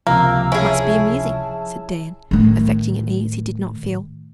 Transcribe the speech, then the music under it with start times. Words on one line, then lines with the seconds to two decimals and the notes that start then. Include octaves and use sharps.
Must be amusing,' said Dan, affecting an ease he did not feel.
0.07 C#2 C3 F3 A#3 G4 A#5 E6
0.52 C#4 E4 G#4 A5
2.31 A2 D#3